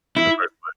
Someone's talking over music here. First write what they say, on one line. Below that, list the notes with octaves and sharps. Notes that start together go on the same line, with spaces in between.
In the first
E4